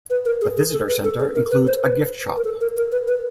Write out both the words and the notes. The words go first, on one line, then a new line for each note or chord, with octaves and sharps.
The visitor centre includes a gift shop.
B4
A#4
G#4
G#4
A4
B4
A4
G#4
A#4
B4
C5
B4
A#4
A4
A#4
A#4
B4
B4